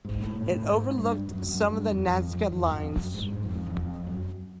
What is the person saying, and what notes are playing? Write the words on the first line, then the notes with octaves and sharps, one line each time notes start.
It overlooked some of the Nazca lines.
G#2
A2
A2
A#2
A2
G#2
G2
F#2
F#2
G2
F2
F2
F2
E2
F#2
F2
F#2
G#2
G2
G#2
F2
E2
F2
F#2